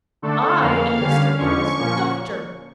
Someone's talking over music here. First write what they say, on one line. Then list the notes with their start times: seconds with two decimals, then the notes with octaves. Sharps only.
'I am Mr. Hale's daughter.
0.22 D3 A3 D4 A4
0.61 F2 C#3 E3 A#3 F5
1.00 D3 G3 C#4
1.38 E2 D3 F3 C#4 C#6
1.77 A#2 F3 A#3 C#4